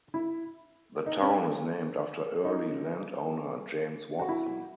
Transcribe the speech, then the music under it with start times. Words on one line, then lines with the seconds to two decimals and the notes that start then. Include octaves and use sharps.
The town is named after early landowner James Watson.
0.14 E4
1.06 D#4
1.22 C#4
2.45 D#4
4.19 F#4
4.29 E4